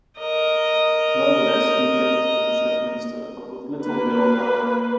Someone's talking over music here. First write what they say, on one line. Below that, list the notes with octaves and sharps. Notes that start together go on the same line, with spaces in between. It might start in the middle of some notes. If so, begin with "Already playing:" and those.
Nonetheless, He kept his position as minister but with little real power.
A#4 D#5
A#3 B4